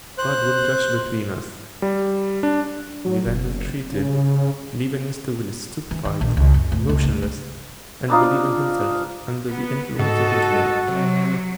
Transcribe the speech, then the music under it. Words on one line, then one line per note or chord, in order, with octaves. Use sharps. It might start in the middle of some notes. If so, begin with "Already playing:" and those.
God will judge between us.' We then retreated, leaving Mr. Willis stupefied, motionless, and believing himself under the influence of a dream.
C5 F#6
G3
D4
F#3
F#1
C#3
E3
D#3
A#1
C#2
F#2
D2
C#2
D2
C4
C4 D4 D#4 F4
B3
G#2 F#4 A4 D#5
C3 F#3